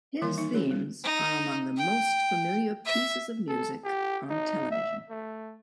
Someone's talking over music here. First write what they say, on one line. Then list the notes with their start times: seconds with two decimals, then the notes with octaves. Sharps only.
His themes are among "the most familiar pieces of music on television".
0.22 D#3 E3 G3 A#3 A#4 C6
0.37 A#3 D#4 E5
0.54 C#4 F#4 G#4 C#5
0.71 G3
1.03 D#4
1.77 G5
2.85 E5
3.48 A4
3.84 G4
4.30 D#4
4.71 E5
5.10 A3